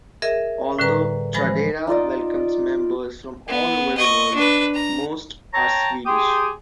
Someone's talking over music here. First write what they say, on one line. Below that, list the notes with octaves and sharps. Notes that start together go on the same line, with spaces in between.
Although Tradera welcomes members from all over the world, most are Swedish.
G#4 A#4 D#5 E5
A2 D3 G3 B4 A#5
E3 F3 G#3 C5 B5 A#6
D#4 F4 D5 D#5
B3
D#5 C#6
D4 B4
A#5
C#5 G5 A5 A#5
G4 G#4 G5 C6 D#6